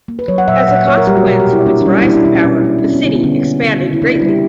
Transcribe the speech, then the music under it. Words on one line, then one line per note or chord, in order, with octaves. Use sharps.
As a consequence of its rise to power, the city expanded greatly.
A#3
B4
F#3 C#5
F#5
A#2 E5
A#2 F#5
A#3 C#5
A#4
G3 G4
F#4
B2 A#4
G4
B2
E4
A#3 D4
D4
G3 C#4
E4
A#3 D4
E4
B2 D4
C#4
B2
A#3
D4
A#3 C#4
B3
D3 A#3
B3
D3 C#4
A#3
C#3
C#3
E4
A#3 D4
E4
G3
G4